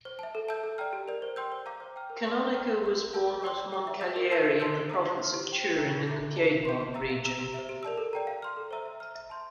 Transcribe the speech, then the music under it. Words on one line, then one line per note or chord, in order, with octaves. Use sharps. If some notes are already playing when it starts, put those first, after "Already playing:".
Canonica was born at Moncalieri in the province of Turin in the Piedmont region.
C5
E5 A5
A4
E5 A5 E6 G6
A4
D5 G5 A#5 F6
G4
A#4 D5
C5
G5 C6 E6 G6
C5
F5 A#5 D6 G6
C5
G5 A#5 F6
A#4
D5 A5 C6
D5
G5 A#5 F6
F5
C6 E6 G6
A#4
F5 A5 E6 G6
G4
D5 G5 C6 E6
D5
G5 D6
E5
A5 E6 G6
A#4
F5 A5 E6 G6
F5
A5 C6 E6 G6
C5
E5 A#5 E6
F5
C6 F6
G4
C5 G5
C5
E5 G5 A#5 E6
A4
E5 A#5 D6 G6
A4
D5 A5
F5
C6 G6
C5
E5 A#5 E6
F5
A#5 E6
G4
C5 E5
G4
A#4 D5 A5 E6
A4
D5 G5 A#5
F5
C6 F6
A4
C5 E5 A#5 E6
E5
A#5 F6
E5
A5 C6 G6